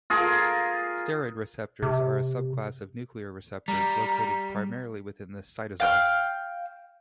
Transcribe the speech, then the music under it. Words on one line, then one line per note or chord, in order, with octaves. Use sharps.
Steroid receptors are a subclass of nuclear receptors located primarily within the cytosol.
F4 G#4 A#4
C3
G3 A#5
F5 G5 F6